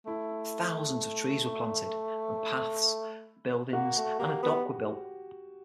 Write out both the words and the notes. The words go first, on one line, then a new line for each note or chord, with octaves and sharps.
Thousands of trees were planted, and paths, buildings, and a dock were built.
A3 E4
A#3 F#4
A3
A#3 G4
B3